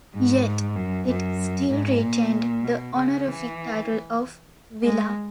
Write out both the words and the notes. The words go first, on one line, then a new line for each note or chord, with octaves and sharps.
Yet, it still retained the honorific title of "vila".
G#2
F#2
F#2
G#2
A#2
B2
C#3
E3
G#3